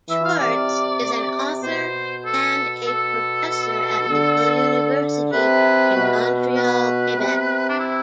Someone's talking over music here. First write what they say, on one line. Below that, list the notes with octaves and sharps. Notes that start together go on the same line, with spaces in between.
Schwarcz is an author and a professor at McGill University in Montreal, Quebec.
E3 E5
F5
C3 D5
C3
B2 C5
A4
A4
D3
C3 B4
B2
B4
C3
D4
E4